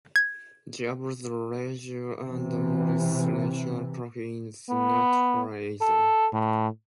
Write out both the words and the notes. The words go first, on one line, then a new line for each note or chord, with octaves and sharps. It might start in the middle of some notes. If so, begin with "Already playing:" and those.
The Abruzzo, Lazio and Molise National Park is not far either.
G#6
C3 E3
B3
A4
A2